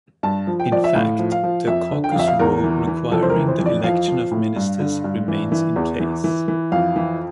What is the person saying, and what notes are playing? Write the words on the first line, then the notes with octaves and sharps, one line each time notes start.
In fact, the Caucus rule requiring the election of ministers remains in place.
G2 A5
F3
G5
F3 D5
E5
A2 F5
F3
F5
F3
F2 E5
D3
G5
F5
F2 E5
F5
E2 A#4
E3
E3
F2 A4
C5
A#4
E3
C5
F2
D5
F3 F5
F3
A2
G2
D3
G2
E3
E3
E2
E3
E3
E3
F2 F5
E3